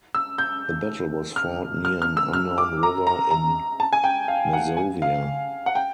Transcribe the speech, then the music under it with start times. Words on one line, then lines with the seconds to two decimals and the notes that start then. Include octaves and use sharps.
The battle was fought near an unknown river in Masovia.
0.15 E6
0.38 G6
1.36 F6
1.85 F6
2.02 F6
2.17 E6
2.33 F6
2.58 D6
2.83 A#5
3.07 A#5
3.31 A#5
3.80 A5
3.93 G#5
4.04 G5
4.28 F5
4.53 F#5
4.77 G#5
5.02 F5
5.66 F#5
5.75 G5